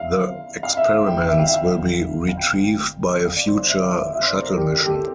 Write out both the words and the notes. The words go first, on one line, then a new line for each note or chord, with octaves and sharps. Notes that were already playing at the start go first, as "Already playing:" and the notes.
The experiments will be retrieved by a future shuttle mission.
Already playing: E5 F5
F5
E5
G5
G5
E5
F5
E5
F5
F5
G5
F5
D5
C5
D5
E5
F5
E5
E5
C5
D5
A#4
G4
G4
A4
G4